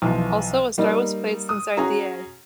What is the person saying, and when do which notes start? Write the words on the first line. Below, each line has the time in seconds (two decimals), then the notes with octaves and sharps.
Also, a star was placed inside the "A".
0.02 B1 E3 F3
0.78 G3 A#3 D#4
1.49 D#6
1.77 C#4 F#4 G#4 C#5 A#5